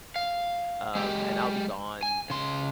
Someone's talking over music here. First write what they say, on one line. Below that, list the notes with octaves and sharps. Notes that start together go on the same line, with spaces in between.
Um, and I'll be gone
F5
G#3 G4
G#5
C#3 C6